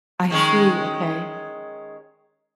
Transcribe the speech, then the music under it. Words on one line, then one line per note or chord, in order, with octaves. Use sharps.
I see, okay.
D#3 G#3 C#4